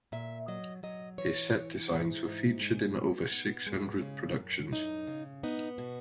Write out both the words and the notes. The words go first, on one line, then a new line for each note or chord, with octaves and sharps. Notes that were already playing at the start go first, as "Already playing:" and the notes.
His set designs were featured in over six hundred productions.
A#2 E5
F#3 D#5
F#3 D#5
E3 C#5
E3
G#2 D#4
G#2
G#3
B3
B3
G#3
C#3
F#2
F#2 D#4
C#3
B3 D#4
B2 F#4